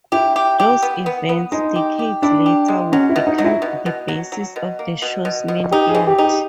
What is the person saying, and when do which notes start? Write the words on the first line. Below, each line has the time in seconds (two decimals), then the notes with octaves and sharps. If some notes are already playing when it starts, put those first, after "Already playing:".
Those events, decades later, would become the basis of the show's main plot.
0.12 E4 G4
0.36 G4
0.60 G4
0.82 B3
1.06 B3
1.29 B3
1.52 G#3 D#4
1.76 G4
1.99 G4
2.22 D4 E4
2.46 G4
2.68 G#3
2.92 F#3 C#4
3.09 E4
3.16 B2
3.27 D#4
3.38 F#3
3.44 E4
3.62 B2
3.86 B2
4.08 F#3
4.32 F#3
4.56 B2
4.79 A#3
5.02 B2
5.25 B2
5.48 B2
5.71 D#4 G4
5.89 G#4
5.95 E3
6.07 G4
6.18 D#4
6.24 G4